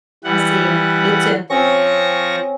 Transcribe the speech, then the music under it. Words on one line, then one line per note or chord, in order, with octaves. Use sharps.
I'll see you. You too.
E3 G3 F#5
F3 C4 C#4 C#6 A#6